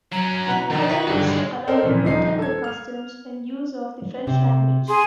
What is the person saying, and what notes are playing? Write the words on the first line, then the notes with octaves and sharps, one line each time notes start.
The colonists were allowed to maintain their customs and use of the French language.
F#3 C#4 A#5
B2 B3 E4
F2 D#3 F3
F#4 B4 F#5 G5
G2 D3 F#3 G3 F#4
B2 G#3
C4 A4 A#4 C5 D#5
A#2 C#3 E3 F3
D#1 F3 D#4 C7
A4 G#6
F6 F7
C3
G#4 C6